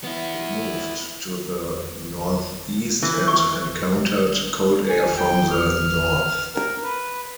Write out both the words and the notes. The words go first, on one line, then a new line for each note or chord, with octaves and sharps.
It moved to the northeast and encountered cold air from the north.
B3 E4
E3
C#6
G#5
G5
F6
A#4
B4